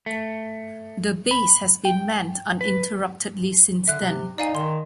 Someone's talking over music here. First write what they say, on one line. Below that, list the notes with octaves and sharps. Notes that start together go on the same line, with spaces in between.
The base has been manned uninterruptedly since then.
A3
B5
G5
B4
D3 E5 F#6
C3
D#4 D5 F5 G#5
D#3 C6